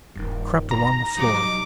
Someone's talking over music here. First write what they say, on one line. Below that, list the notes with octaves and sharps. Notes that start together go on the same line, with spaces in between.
I crept along the floor.
D#1 G2 D#3
A#5
E1 F#3 G3 D#4 D6